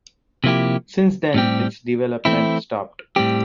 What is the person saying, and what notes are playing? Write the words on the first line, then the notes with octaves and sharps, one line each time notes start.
Since then, its development stopped.
C3 F3 A#3 E4 G4
A2 G3 C4 G4
E3 A3 C4 E4
A2 G3 C4 G4